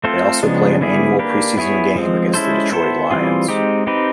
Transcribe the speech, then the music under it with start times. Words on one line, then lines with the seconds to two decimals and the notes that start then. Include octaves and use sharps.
They also play an annual preseason game against the Detroit Lions.
0.04 A3 C4 F4 A4 C5
0.43 C#3 F3 G#3 B3 D4
0.81 D3 G3 B3 E4 G#4
1.19 A#3 D4 G4 B4
1.57 B3 E4 G#4 C#5
1.96 F3 G#3 C4
2.34 G#3 C#4 E4 A4 C5
2.72 B3 E4 A4 C5
3.10 E3 G3 C4 F4 G#4
3.48 G#3 C4 D#4 G4
3.87 C4 D#4 G4 B4